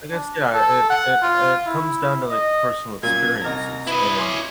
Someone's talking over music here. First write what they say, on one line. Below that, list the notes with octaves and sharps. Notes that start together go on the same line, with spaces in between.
I guess, yeah, it it it comes down to, like, personal experiences. And
D4
A4
F#5
F4
E4
D#5
F#2 A#2 G#6
C2 D#4 A#5 F6
E4 B4 D#5 E5
C#4 C#5 C6 D6